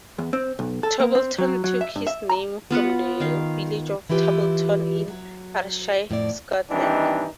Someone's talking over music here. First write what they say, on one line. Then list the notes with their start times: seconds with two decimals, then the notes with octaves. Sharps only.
Torbolton took its name from the village of Tarbolton in Ayrshire, Scotland.
0.18 E2
0.33 C4
0.59 B1
0.83 A4
1.00 A#3
1.15 C4
1.38 F#3
1.64 F#3
1.81 E5
1.96 G2
2.07 E5
2.29 A#5
2.71 B3 F4 B4 F#5
3.20 D#3 F5
4.09 E3 E4 F4 G4 B4
5.08 F#3
6.09 F2 A2 G#4 D5
6.71 D#3 E3 G3 C4 D4 D#4